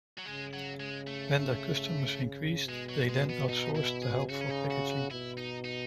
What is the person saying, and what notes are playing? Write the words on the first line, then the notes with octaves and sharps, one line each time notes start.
When their customers increased, they then outsourced the help for packaging.
F#3
C#3 G#3
F#3
G#3
A3
B2 G#3
F#3
G#3
B3
D#4
E4
G#4
C#3 F#4
C#4
D#4
F#4
F#4
B2 E4
D#4
D#4